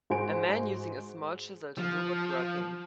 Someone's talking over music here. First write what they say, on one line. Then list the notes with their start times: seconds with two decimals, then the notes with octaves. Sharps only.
A man using a small chisel to do woodworking.
0.10 G#2 F#4 C5 G#5 D7
1.78 F3